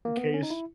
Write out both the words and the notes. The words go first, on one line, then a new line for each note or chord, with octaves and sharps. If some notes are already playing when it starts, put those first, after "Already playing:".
in case.
A#3
B3
C#4
D#4
E4